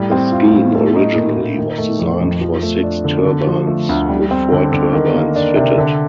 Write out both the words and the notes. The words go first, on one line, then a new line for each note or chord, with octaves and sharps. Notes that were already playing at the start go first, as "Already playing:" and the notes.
The scheme originally was designed for six turbines, with four turbines fitted.
Already playing: A2 G3
C4
F4
A2
A3
D#4
A#2
A#2
D#3
A3
F2
F2
F3
A3
D4
D3
D3
F3
A3
D2
G3
C4
D3
D3
D#3
A#3
D4
C3
D3